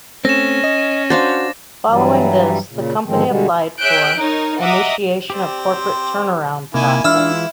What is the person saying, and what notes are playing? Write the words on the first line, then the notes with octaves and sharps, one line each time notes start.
Following this, the company applied for "initiation of corporate turnaround process".
A3 C4 C#4 A#6 E7
D#5
D4 F#4 C5 F5 A6
G2 E3 F#3 G3
A#2 C#3
G#2 D3 D#3 F3 G#3 C4
G2 B2 D3 G3 G#3
G#4 C#5 E5 F#6 G6 D7
D#4 A#4 C#5
D#5 E5 F#5 A#5 D6 D#6
C4 G4 C5 D5
C3 D#3 A#3 E4 G#5
E3 G#3 D4 E4 F4 E5 E6 F6